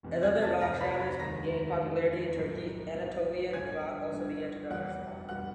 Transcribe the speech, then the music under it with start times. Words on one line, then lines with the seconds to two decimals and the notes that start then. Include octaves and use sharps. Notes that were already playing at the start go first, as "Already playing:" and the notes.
As other rock genres gained popularity in Turkey, Anatolian rock also began to diversify.
0.03 F1 E2 C3
0.23 G#5 G#6
0.42 A5 A6
0.61 F1 E2 C3 A#5 A#6
0.81 B5 B6
1.00 B5 B6
1.20 F1 D#2 D#3 G#3 A#5 A#6
1.79 F1 D#2 D#3 G#3
2.37 B1 A2 F#3
2.95 B1 A2 F#3
3.53 G1 G2 D3 G#5 G#6
4.12 G1 G2 D3
4.70 F1 E2 B2 G3 F#5 F#6
5.29 F1 B2 G3 F#5 F#6